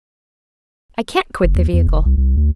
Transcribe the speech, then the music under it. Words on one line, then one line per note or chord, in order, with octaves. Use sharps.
"I can't quit the vehicle."
F#1
D#2
E2
F1
C2
C2
D2